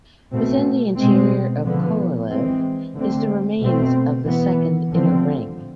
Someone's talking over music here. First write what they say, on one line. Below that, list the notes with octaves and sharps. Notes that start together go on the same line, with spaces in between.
Within the interior of Korolev is the remains of a second, inner ring.
B2 A3 C4
B2 G#3 C4
D3 F3 B3
E3 G#3 C4
D3 A3 C4
B2 A3 C4
E3 B3
D3 F3 A3 C4